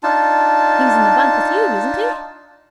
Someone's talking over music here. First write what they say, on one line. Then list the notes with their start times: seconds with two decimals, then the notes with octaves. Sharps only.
He's in the bank with you, isn't he?'
0.03 D4 D#4 F4 A5